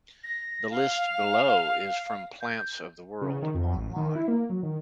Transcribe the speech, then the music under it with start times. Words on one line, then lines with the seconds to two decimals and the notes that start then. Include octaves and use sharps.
The list below is from "Plants of the World Online".
0.24 A#6
0.71 F5
2.41 G6
3.22 C#3
3.42 D#3
3.55 F2
3.76 A1
3.96 D#3
4.15 E4
4.28 A#3
4.50 F#3
4.63 D#3